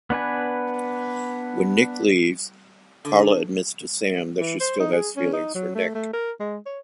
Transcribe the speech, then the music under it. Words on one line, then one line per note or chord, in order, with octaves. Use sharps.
When Nick leaves, Carla admits to Sam that she still has feelings for Nick.
B3 D4 B4 G#5
D3
E3
C5
D#4
G#4
C#4
D#4
F#3
A3
A3
A#4
G#3
C#5